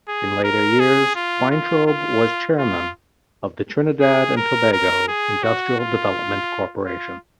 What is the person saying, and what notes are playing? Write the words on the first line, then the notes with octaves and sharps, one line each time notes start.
In later years Weintraub was Chairman of the Trinidad and Tobago Industrial Development Corporation.
G#4
A#4
G#4
F4
F4
F4
F4
G#4
A#4
A#4
G#4
F#4
F4
F4